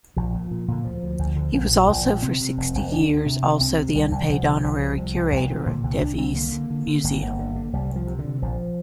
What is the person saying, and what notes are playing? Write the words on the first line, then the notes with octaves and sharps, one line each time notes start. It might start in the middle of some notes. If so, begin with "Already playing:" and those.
He was also for sixty years also the unpaid honorary curator of Devizes Museum.
A#1 F3
A#2
A#2
A#2 D3
D2 F3
D2
D2
D3
A#1
A#2
A#1
A#2
C3 C4
C3
F1
F1
D2 D4
D2
C3
C3
C2 C4
C3
C2 G3
C2
C2 F3
C3
C2
C3
C2
C2
C2
A#2
A#2 D3
C2 D3
C2 D4
C2 C4
D3 A#3
D3
D3
D3
G1 A#3
G1
D3
D3
C2 G3
C2
F3
C3
D3
C3
A#1 F3